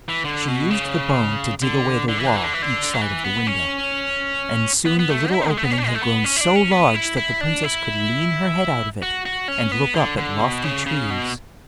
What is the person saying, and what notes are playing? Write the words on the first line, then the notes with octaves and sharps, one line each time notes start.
She used the bone to dig away the wall each side of the window and soon the little opening had grown so large that the princess could lean her head out of it and look up at lofty trees.
E3
D3
B2
C#3
D3
D3
E3
D3
E3
D3
E3
D3
F#3
E3
B3
C#4
B3
B3
A3
E4
G#3
A3
B3
C#4
D4
G#3
A3
B3
C#4
E4
D4
C#4
B3
E4
E4
D4
E4
F#4
F#4
C#4
B3
D3
D3
B2
C#3
C#3
B2